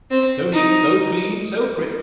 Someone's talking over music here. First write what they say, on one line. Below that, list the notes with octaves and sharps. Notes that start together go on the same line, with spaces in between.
So neat, so clean, so pretty!
C4
D#4